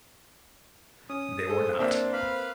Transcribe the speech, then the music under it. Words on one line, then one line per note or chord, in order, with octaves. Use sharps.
They were not.
C#4 D#6
G#4 A4 C5
A#3 C4 D4 E5
B4 F5 B5